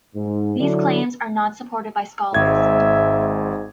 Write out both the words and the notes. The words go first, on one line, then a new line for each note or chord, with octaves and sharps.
These claims are not supported by scholars.
G#2
D3 F#3 D4 E4
G#1 G#2 E5 G#6